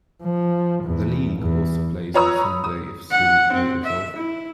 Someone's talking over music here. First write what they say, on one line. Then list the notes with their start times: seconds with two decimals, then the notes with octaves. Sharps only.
The league also plays on Sunday if Serie A is off.
0.22 F3
0.84 E2
1.40 E2
2.14 F4 B4 C#5 A#5 D#6 E6
2.42 B5
2.64 D#6
3.11 F#5
3.53 C4
3.84 E5
4.16 E4